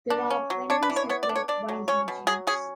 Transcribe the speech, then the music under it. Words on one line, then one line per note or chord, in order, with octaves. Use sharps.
There are twenty separate wine regions.
D4
C#4
F#3
D4 C#5
B4
E3
C#5
B3 C#5
D5
D4
C#5
D4 D5
F#3
C#4 C#5
B2
F#3 G#4
C#4 G#4